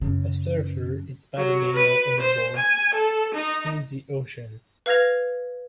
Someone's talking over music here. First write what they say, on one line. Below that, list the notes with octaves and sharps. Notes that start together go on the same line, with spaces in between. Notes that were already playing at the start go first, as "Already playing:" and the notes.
A surfer is paddling on a board through the ocean.
F#2 C#3
F#3
B4
C5
G#5
A4
D#4
B4 F5 F6 G#6 A#6 F7